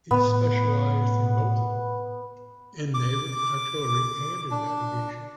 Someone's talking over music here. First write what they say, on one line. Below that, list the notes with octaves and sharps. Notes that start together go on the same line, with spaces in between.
He specialized in both in naval artillery and in navigation.
A2 B3
D6
D4